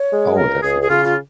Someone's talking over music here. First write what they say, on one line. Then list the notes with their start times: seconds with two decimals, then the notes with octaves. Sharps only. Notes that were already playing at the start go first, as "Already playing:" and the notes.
Oh, definitely.
Already playing: C#5
0.12 G#3
0.37 C#2 A#4
0.63 C#2 G#4
0.81 G#4
0.89 C#3 F4
1.05 F4